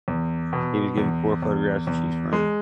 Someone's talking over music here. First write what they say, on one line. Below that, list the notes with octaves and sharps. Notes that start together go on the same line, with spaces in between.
He was given four photographs to choose from.
E2
B2
E2
E2
E2
G#3